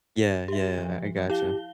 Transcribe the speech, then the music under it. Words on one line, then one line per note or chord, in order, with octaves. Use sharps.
Yeah, yeah, I I gotcha.
G4 E5
F3
E4 G4 F5 G7